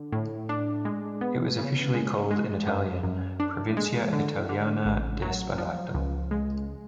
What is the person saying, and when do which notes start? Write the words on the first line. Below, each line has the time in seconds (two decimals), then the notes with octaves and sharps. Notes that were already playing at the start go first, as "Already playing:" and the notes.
It was officially called in Italian: "Provincia italiana di Spalato".
Already playing: D3
0.12 A2
0.49 D4
0.85 G#3
1.21 B3
1.58 C#3
1.94 G#3
2.31 G#3
2.67 F#2
3.03 F#2
3.40 D4
3.77 G#3
4.13 D3
4.49 D3
4.86 A1
5.22 F#3
5.58 F3
5.95 C#2
6.31 G#3